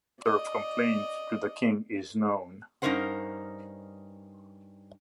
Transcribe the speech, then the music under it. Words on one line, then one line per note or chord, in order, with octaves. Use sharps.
A letter of complaint to the king is known.
D5 D#5
G2 C#4 D#4 A#4 C5 F#5